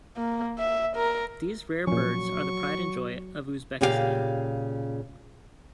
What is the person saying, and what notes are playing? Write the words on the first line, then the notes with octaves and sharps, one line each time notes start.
These rare birds are the pride and joy of Uzbekistan.
A#3
E5
A#4
A#2 F3 F#3 C#4 C#6
A#2 C#3 G4 G#4 F5